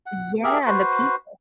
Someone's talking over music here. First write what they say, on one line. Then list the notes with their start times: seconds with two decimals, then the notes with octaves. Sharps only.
Yeah, and the people.
0.06 F#5
0.44 G4 G#4 A#4 E5
0.66 F#4 B4 C5